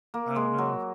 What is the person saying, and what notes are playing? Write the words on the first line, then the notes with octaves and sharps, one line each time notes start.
Oh no.
A#3
G#3
F#3